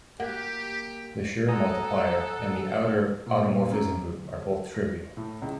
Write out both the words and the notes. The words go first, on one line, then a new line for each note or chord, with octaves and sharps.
The Schur multiplier and the outer automorphism group are both trivial.
A#3 G4 F#5
A4 F#5 G#5 A#5 D#6
A#2
F#2
D1
A4
A#6
A2
C#2